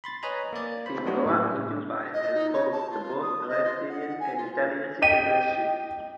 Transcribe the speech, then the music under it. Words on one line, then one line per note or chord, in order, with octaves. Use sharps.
He grew up in Dubai and holds both Palestinian and Italian citizenship.
B5 C6 A6
B4 C#5 D#5 G#5 A#5 B5
A#3 D5
C5 B5
F#3 A3 B3 D4 D#4 F#4
A2 G3 A#3 C#4
D#5
D#4
C#5
A5
F4
D#6
D#5
F4
F#5
G#5
F4
D#5 G5 B6 D#7